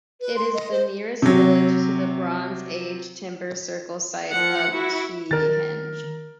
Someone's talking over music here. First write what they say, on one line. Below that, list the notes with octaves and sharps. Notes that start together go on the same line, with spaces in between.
It is the nearest village to the Bronze Age timber circle site of Seahenge.
B4
C6
D#5
C5
C3 F#3
F3 F#5
E4 F#4
D#3 A#4 A6